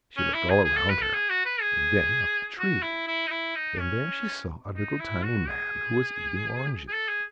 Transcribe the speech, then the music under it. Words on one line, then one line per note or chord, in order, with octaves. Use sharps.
She looked all round her, and then up the tree, and there she saw a little tiny man, who was eating oranges.
C#4
E4
G#4
G#4
A4
B4
A4
G#4
F#4
B4
G#4
F#4
E4
E4
D#4
E4
D#4
C#4
D#4
E4
F#4
G#4
G#4
A4
G#4